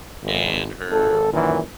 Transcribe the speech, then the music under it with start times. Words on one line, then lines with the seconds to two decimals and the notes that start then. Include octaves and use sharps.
and her
0.22 G#1
0.89 G#1 A4
1.33 F#2 A#2 D#3 E3